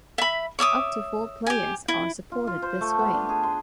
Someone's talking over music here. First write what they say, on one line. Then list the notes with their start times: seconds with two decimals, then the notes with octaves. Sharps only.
Up to four players are supported this way.
0.18 E5 B5
0.59 C#5 E5 D6 D#6
1.46 G4 G#5
1.88 E4
2.32 F4
2.47 F4
2.62 C5
2.81 A3
2.99 B3
3.13 D4
3.29 G#4
3.43 C6